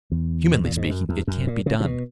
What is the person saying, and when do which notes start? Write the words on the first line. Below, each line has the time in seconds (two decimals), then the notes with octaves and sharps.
Humanly speaking, it can't be done.
0.12 E2
0.51 B2
0.64 A#2
0.77 G#2
0.90 F#2
1.09 E2
1.27 F#2
1.47 A#2
1.66 C#3
1.80 A#2
1.85 B2